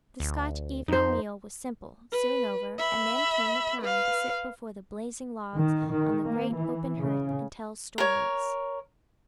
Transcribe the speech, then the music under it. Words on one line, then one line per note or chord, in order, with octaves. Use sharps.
The Scotch evening meal was simple, soon over, and then came the time to sit before the blazing logs on the great open hearth and tell stories.
D2
F2 D#4 C5
B4
E5 B5
B4 F5
D#3
D#3
A#3
E3
C#3
A#4 C#5